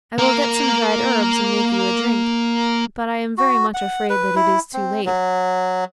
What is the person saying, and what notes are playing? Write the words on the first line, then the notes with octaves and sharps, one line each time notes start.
'I will get some dried herbs and make you a drink, but I am very much afraid that it is too late.
A#3 A#4
F#4
F#5
B4
E4
C4
F#3